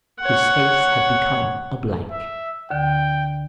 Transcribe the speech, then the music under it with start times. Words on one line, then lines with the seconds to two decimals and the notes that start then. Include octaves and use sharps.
His face had become a blank.
0.20 C#5 F#5
2.11 E5
2.71 D2 D3 G5